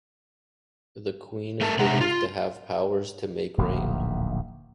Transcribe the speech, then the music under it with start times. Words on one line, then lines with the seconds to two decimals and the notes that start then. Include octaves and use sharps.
The queen is believed to have powers to make rain.
1.61 A3 A#4 A5
1.79 C3 G#3 E5 F#5 A#5
2.01 F4
3.58 D1 A#1 D#2